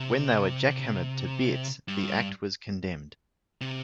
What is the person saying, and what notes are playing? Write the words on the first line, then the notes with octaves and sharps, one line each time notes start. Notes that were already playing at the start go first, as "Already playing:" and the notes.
When they were "jackhammered" "to bits" the act was condemned.
Already playing: C3
G2
C3